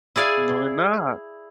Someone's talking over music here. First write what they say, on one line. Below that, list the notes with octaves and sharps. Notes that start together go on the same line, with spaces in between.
No, they're not.
E4 G#4 D5 F5 G#5